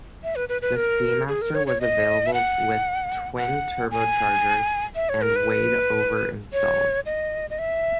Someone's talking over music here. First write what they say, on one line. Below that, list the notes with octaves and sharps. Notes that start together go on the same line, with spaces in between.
The Seamaster was available with twin turbochargers, and weighed over installed.
E5
B4
B4
B4
A#4
G#4
A#4
C#5
C#5
D#5
E5
F#5
F#5
G#5
E5
C#5
A#4
B4
C#5
D#5
D#5
E5